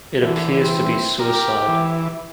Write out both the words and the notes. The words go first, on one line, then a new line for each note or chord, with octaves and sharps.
It appears to be suicide.
D3 E3
C4
G4 A#4
E3